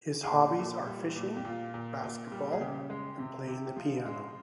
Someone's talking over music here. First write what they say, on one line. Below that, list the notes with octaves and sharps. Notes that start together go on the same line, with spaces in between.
His hobbies are fishing, basketball, and playing the piano.
G#4
A#2 G4
A#2
G3
A#2
G4
A#2 F4
A#2
A#2
G3
G#4
C#3 G4
G#3
C3
C3
G4
F3 F4
G#3